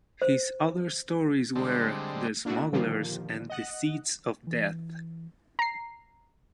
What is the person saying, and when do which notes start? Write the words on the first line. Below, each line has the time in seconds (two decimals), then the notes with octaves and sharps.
His other stories were "The Smugglers" and "The Seeds of Death".
0.22 C5
1.55 D3 G3 G#3 C4
2.45 A#3 D4 E4 F#4
2.72 A#2 D3 D#3 F3 G3 A#3
3.50 D#5 F#5 F#6
4.47 E3
5.59 A#5 C7